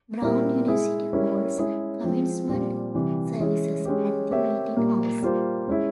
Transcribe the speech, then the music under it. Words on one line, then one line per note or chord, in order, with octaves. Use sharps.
Brown University holds commencement services at The Meeting House.
A#2 G3 C4 E4 A#4
G#3 E4 G#4
G3 C#4 E4 A#4
G#3 C#4 E4 G#4
F3 G#3 C4
A#2 G3 C4 F4 C5
C3 E3 G3
E3 G#3 C#4 E4 G#4
G#3 C#4 G4
C4 G4 A#4 C#5 E5
A#2 G3 A#3
G3 A#3 F4 C5
G#3 C#4 E4